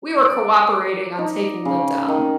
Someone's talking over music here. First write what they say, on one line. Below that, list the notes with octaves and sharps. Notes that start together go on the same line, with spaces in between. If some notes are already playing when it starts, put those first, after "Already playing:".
We were cooperating on taking them down.
D5
D#4
C#3
D#3